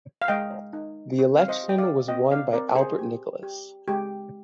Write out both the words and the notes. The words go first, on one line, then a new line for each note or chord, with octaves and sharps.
The election was won by Albert Nicholas.
F5
G#3 D#5 G5
D#4
C4
F5
C5 D#5
G4
G5
D5 F5
C4 D#5 G5
D5 F5
C4 A#4 D5
G#4 C5
G4
G4
G#3 G4